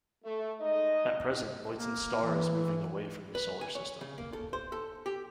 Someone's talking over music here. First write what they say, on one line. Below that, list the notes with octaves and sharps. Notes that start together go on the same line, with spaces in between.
At present, Luyten's Star is moving away from the Solar System.
A3
G#3 D#4 D#5
A#3
E3
B4
G#5
C#5
C#3
A#3
A4
C5
A4
G4